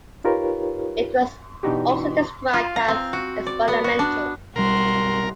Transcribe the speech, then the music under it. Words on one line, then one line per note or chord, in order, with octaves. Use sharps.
It was also described as experimental.
D#4 F4 G4 A#4 B4 C#5
B2 E3 D4 D#4 F#4 G4
F4
A#5
C4
F#4
D5
B3
F#4
D4
B1 G3 F#4 A#4 C6